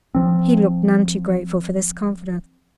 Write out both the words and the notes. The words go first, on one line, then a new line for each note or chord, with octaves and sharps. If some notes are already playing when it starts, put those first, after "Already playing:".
He looked none too grateful for this confidence.
F3 C4